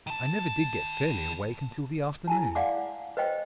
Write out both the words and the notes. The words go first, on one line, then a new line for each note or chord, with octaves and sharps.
I never did get fairly awake until the afternoon.
D#3 A5
E4 G#5 A5
D5 F5 F#5 D6
B4 C5 D#5 G5